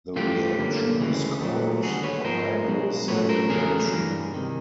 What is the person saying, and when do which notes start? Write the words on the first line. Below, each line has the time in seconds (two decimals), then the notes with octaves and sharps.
The reaction is called hydrosilylation.
0.16 G2 E3 A3 F4 G4
0.58 F#2 D3 G3 A#3
1.00 D2 C#3 E3 G#3
1.41 A#2 F#3 A3
1.83 D#2 D3 G3 B3 F#4 G#4
2.04 B4 C#5
2.24 G#2 F3 G#3 B3 A#4 C5
2.67 B1 B2 G#3
3.08 A2 F3 A3 B4 C#5
3.29 A#4 C5
3.50 E2 C#3 F#3 A3 G#4 A#4
3.92 G2 E3 G3
4.34 C3 D#3